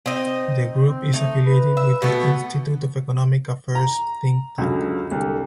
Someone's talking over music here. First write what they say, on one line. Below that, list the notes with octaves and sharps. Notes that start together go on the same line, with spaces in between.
The group is affiliated with the Institute of Economic Affairs think tank.
C4 D#4 D#5
C4
A3 D#4
B4
E5
B2 A3 B3
A#5
C#2 F#2 D3
C2 D3